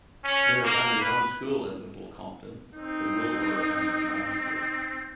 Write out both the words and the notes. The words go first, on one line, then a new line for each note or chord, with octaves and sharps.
There is only one school in Little Compton, the Wilbur and McMahon school.
C#4
A#3
B4
C4 D#4